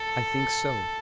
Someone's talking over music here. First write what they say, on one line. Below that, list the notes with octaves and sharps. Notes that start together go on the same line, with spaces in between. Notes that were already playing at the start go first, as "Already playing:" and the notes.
"I think so."
Already playing: A4